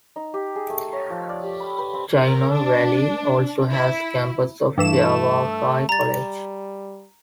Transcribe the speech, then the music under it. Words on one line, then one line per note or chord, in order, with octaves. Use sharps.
Chino Valley also has a campus of Yavapai College.
D#4
G4
G#4
A3
C#5
F3
D5
G4
B5
B4
C4
A#4
D4
E4
G2 E3 A3 E7
G3 A#5 A6